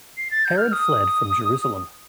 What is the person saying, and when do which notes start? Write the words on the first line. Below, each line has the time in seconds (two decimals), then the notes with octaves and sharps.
Herod fled from Jerusalem.
0.17 C7
0.31 A6
0.45 G6
0.58 F6
0.72 D#6